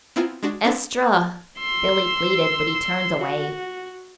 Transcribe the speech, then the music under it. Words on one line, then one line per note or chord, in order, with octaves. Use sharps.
"Estra!" Billie pleaded; but he turned away.
B3 C4 E4 F4 G#5 A#5
G#3 D4 F#4
B3 C4 D4 A4
C6 E6
F#4